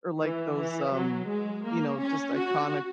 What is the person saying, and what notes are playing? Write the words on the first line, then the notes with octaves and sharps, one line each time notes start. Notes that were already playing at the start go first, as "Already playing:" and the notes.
or, like, those, um, you know, just iconic
E3
E3
F#3
G#3
A#3
C#4
F#4